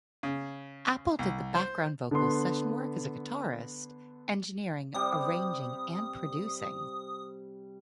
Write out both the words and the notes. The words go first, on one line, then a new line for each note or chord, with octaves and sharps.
Appell did background vocals, session work as a guitarist, engineering, arranging and producing.
C#3
C2
C5
D3 B3 C6
C3 G3 D#6